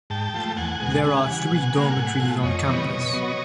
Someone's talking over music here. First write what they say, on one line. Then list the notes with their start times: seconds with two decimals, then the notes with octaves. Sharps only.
There are three dormitories on campus.
0.10 G#2 G5 A5
0.34 F3 A3
0.57 E2 F#5 G#5
0.80 B2 G#3
1.03 C#3 F#5 G#5
1.27 E3 G3
1.51 B2
1.73 G3 A#3
1.97 A2
2.19 F3 A3
2.43 F2 C#5 D#5
2.66 C3 E3 G3 B3
2.90 B2
3.13 F#3 B3